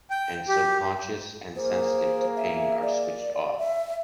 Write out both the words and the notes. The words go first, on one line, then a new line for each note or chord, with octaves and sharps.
And so conscience and sensitivity to pain are switched off.
G5
G4
A#3 G#4 C5
E5
D5
E5